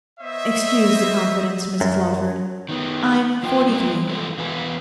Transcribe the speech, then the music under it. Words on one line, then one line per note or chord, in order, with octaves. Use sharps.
'Excuse the confidence, Mrs Lawford, I'm forty-three.'
B3 C5 C#5 D#5 E5
F#2
D#3 B3
E2 F4 B4 G5
G3 B3 F4 B4
E3 F3 G#3 A4
E2 B2 E3 F#4 B4 G#5